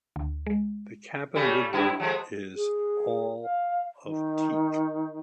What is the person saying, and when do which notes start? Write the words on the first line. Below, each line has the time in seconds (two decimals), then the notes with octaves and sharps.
The cabin woodwork is all of teak.
0.16 D2
0.47 G#3
1.36 C#3 G3 A3
1.73 F#2 E4
2.00 F3 G#3 A3
2.55 G#4
3.42 F5
4.04 D#3